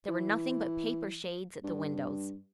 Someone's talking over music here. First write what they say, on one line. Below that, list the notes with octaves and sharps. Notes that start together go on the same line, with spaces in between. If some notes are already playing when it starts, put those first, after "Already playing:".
There were nothing but paper shades at the windows.
E3
G2